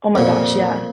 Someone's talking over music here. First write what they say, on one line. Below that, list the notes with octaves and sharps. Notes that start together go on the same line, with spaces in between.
Oh my gosh. Yeah.
F2 A#2